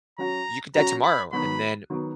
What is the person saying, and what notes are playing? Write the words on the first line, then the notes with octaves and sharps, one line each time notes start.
you could die tomorrow, and then
F#3 C#4 F#4 A#5
F#3 C#4 F#4 A#5
B5
D#3 F#3 B3 F#4 B5
D#3 F#3 B3 F#4